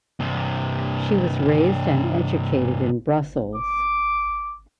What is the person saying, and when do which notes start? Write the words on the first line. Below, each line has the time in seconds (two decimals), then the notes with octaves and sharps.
She was raised and educated in Brussels.
0.20 G2 C3
3.56 D6